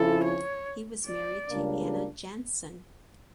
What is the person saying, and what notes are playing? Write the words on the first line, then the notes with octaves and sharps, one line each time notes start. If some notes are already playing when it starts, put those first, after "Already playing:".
He was married to Anna Jansson.
Already playing: F2 C#3 F3 C#4 E4 A4
C#5
D5
C#2 C#3 G3 A#3 D4